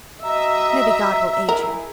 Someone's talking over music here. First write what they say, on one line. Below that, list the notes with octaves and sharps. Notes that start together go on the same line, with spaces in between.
Maybe God will aid you.
F#4 D#5 E5 A#5
D#4 E4 G#4 A#4